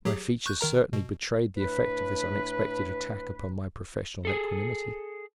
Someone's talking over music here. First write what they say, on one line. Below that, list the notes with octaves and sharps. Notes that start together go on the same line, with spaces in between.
My features certainly betrayed the effect of this unexpected attack upon my professional equanimity.
F#3 G4 G#4
C#6 F#6 G6
D#3 A#4 A#5
B2
A2 A3 D4 B4
G#4 A4